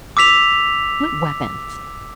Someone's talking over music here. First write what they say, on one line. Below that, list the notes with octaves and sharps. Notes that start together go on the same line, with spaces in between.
"What weapons?"
D6 E6 B6 F7